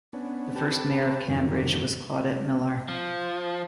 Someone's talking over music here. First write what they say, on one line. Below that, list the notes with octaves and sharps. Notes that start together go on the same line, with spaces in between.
The first mayor of Cambridge was Claudette Millar.
B3 C#4 D4
C4 G4 B4 A5
F2 G#2 D3 D#3 F#3 G3
F3